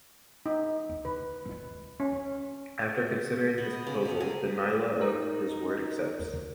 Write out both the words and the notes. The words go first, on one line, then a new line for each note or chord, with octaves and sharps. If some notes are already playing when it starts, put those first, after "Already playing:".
After considering his proposal, the Nyla of his world accepts.
D#4
B4
C#4
B3
D#5
C#3
F#3
G#4
D#4 A#4